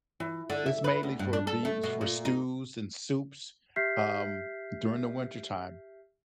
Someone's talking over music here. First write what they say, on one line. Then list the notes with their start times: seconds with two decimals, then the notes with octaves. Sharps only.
is mainly for bee is for stews and soups, um, during the wintertime.
0.20 E3
0.50 D3
0.66 E5
0.84 B4
1.03 D2
1.19 G2
1.33 D4
1.47 A4
1.65 A3
1.83 B2
2.01 A#2
2.25 D#4
3.76 G4 E5 F6 G6 B6 C7